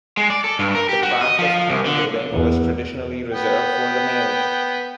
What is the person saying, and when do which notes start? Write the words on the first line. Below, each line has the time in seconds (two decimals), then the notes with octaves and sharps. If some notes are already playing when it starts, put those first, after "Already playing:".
The craft of Canoe building was traditionally reserved for the male.
0.17 G#3
0.30 D5
0.44 A4
0.59 G2
0.75 A#4
0.89 G4
1.03 F#4
1.21 D#5
1.39 F3
1.69 C2
1.86 D3
2.32 E2
3.33 B3 G5